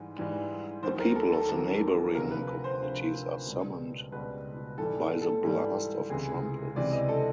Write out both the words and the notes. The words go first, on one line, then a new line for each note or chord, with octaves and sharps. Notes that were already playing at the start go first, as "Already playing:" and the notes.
The people of the neighboring communities are summoned by the blast of trumpets.
Already playing: G#2 E3 G3
G#2 E3 G3
D#2 D#3 F#3 C5
A#4
A4
A4
D#2 D#3 F#3 A4
D2 C3 F3 A#4
B4
B4
C5
D2 C3 F3
C#2 B2 G3
C#2 B2 G3 B4
G#2 E3 G3 A4
A4
G#2 E3 G3
C#2 C3 E3 G#4
C#2 C3 E3 D5
D#5
A4